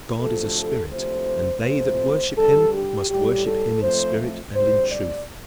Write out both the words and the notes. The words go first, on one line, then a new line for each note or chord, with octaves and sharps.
God is a spirit, and they that worship him must worship him in spirit and in truth.
D2 C3 F3 A3 A4
D2 C3 F3 A3 C5
F2 C3 F3 A3 C5
G2 D3 G3 A4
G4
A2 G3 G4
A4
F2 F3 A3 C5
D2 C3 G3 C5
D5